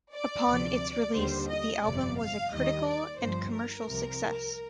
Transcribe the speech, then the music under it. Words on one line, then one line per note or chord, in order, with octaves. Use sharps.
Upon its release, the album was a critical and commercial success.
D5
D2 C3 F3
D#2 D3 G3 C5
D#5
G1 F2 C3 D5
F5
D#2 D#3 G3 D#5
D5
G1 G2 F3 C5
A#4
C2 C3 F3